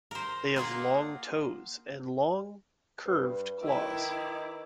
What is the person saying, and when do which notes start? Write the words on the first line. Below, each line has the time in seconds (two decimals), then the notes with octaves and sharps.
They have long toes and long, curved claws.
0.11 A#4 C5
0.56 A#3 F4 G#4 F#5
3.06 G2 B4
3.62 D#3 D#4 E4 E5 D6